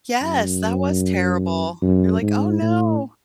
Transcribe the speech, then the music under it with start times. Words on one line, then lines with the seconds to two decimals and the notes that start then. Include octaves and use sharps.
Yes. That was terrible. You're like, "Oh, no."
0.22 F#2
1.82 F#2
2.22 G#2
2.61 A2